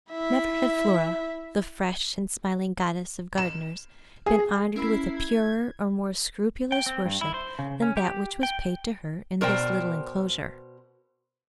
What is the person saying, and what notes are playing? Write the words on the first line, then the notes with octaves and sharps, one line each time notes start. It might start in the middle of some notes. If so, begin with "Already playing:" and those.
Never had Flora, the fresh and smiling goddess of gardeners, been honored with a purer or more scrupulous worship than that which was paid to her in this little enclosure.
E4 E5
E7
G#4
C#4 E4 A#4 E5 B5 C7
G#6
G5
C4
G2
E4
C5
C#3
C#4
G4
G5
B2 A#4 C5 D5 G5